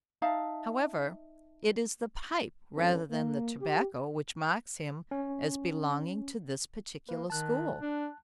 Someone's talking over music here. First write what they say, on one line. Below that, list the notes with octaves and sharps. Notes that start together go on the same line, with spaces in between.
However, it is the pipe rather than the tobacco which marks him as belonging to this particular school.
D#4 E5 F5 A5
G#1 E2 F3 C4 C#4 A4
A#3
G4
C#4
A#3 B4
D#3 A5 F#6
D4